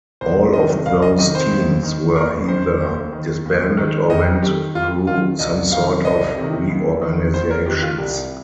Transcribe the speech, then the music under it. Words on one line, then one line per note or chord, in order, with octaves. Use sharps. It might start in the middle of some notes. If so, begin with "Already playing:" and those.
All of those teams were either disbanded or went through some sort of reorganizations.
C2 C5
C3 D#3 D#5
C2 F5
D#5
C3 D#3 D#5
C5
D#2
D#3
D#2 A#4
D#3 C5
D#2
D#3
D#2
D#3
F2 D#5
D#3 G4
F2 F4
D#3 F4
C2 D#5
C3 D#3 F5
C2 D#5
C3 D#3
D#2
D#3
D#2 C5
A#4
D#3 G4
F4
C2 G4